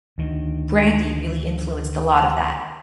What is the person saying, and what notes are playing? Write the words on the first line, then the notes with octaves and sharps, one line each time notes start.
Brandy really influenced a lot of that.
D2 D#3